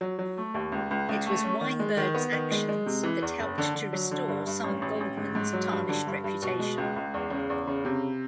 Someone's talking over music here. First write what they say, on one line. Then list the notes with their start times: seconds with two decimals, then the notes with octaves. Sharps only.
It was Weinberg's actions that helped to restore some of Goldman's tarnished reputation.
0.01 F#3
0.19 F#3
0.37 A3
0.54 D#2
0.72 C#2
0.91 C#2
1.09 C#2
1.26 A3
1.44 C#4
1.61 D#3
1.79 G#3
1.97 D#3
2.14 B3
2.32 D#3
2.51 G#3
2.68 G#3
2.86 C3
3.03 E3
3.22 E2
3.39 F#1
3.58 D3
3.75 D3
3.93 F#3
4.11 D3
4.28 G2
4.47 G2
4.64 A1
4.82 A1
5.00 A1
5.17 G#2
5.35 G#2
5.53 F#3
5.71 G2
5.89 D3
6.07 G2
6.24 G2
6.42 B2
6.60 G#3
6.77 C#2
6.96 C#2
7.14 E2
7.31 C#3
7.50 E2
7.67 C#3
7.85 C3